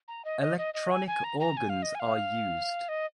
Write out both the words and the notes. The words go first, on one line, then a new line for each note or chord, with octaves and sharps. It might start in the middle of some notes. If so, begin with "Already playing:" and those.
Electronic organs are used.
A#5
D#5
D#5
D#5
D#5
G#5
G#5
A#5
A#5
G#5
F5
D#5
G#5
F5
D#5